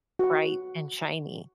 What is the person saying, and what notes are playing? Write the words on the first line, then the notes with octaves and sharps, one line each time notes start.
bright and shiny.
F#4 F#5